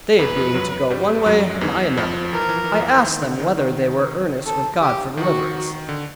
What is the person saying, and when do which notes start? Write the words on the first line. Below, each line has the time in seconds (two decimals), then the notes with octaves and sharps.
They being to go one way, and I another, I asked them whether they were earnest with God for deliverance.
0.19 E2 E3 B4
0.36 F2 F3
0.54 F#2 F#3
0.90 G2 G3
1.26 F#2 F#3
1.61 E2 E3
1.97 F2 F3
2.33 E3 A#4
2.41 F3
2.49 E3
2.56 F3
2.64 E3
2.72 F3
2.80 E2 E3
3.04 D#3
3.22 D3
3.39 D#3
3.57 D#3
4.46 A4
4.82 G4
5.17 D#3 F#4
5.89 D3